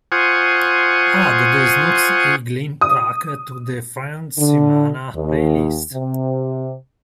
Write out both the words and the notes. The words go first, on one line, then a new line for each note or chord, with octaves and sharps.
Add the snooks eaglin track to the friendesemana playlist.
F4 C5 F#5 G#5 C#6 D#6
D#6
D3
D#2
C3